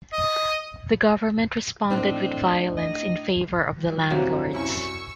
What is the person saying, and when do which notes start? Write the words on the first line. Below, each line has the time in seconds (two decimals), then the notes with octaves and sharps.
The government responded with violence in favor of the landlords.
0.13 D#5
1.90 A2 C4 D4 D#4
2.77 D#5
3.74 F3 G3
4.11 C2 C3 E3 F#3 A#3 F#4 E5
4.54 C2 F#2 C#4 E4 C#6 E6